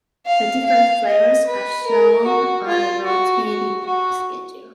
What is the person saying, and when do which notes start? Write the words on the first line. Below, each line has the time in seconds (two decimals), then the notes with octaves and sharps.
The different flavors are sold on a rotating schedule.
0.26 F5
0.66 F5
1.06 D#5
1.46 B4
1.86 A#4
2.26 F#4
2.66 F4
3.06 F#4
3.46 F#4
3.86 F#4